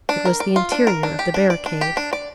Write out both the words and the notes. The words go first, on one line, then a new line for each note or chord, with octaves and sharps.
It was the interior of the barricade.
D4
A#4
D5
F4
D4
A#4
D4
G4
D4
D5
D4
G4
D4
D5